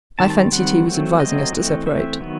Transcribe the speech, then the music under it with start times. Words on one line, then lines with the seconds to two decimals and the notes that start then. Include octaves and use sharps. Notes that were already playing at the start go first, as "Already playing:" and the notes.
"I fancied he was advising us to separate."
0.19 D#3 G3 C4 A5
0.30 A5
0.52 D#3 G3 C4 F#5
0.86 F#3 A3 C4
1.20 F#3 A3 C4 D#5
1.53 E3 A3 C4
1.86 E3 A3 C4 E5
2.20 D#3 F#3 B3